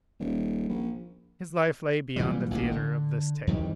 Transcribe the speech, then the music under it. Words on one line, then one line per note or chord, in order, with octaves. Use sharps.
His life lay beyond the theatre of this tale.
D#1
A#1
A#2 E3 F#3 G3
A1 G#2 C3 A#3
D3
F2 D#3 E3 G3